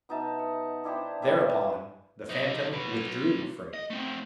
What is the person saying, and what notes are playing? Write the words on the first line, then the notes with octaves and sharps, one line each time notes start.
Thereupon the phantom WITHDREW from me!
B2 D#4 E5 A5
F#5
D4 E4 G4 C5
E3 G3 B4 E5
G#5 C6
F#3 D#4
F#3 B4
D#5
A3 C4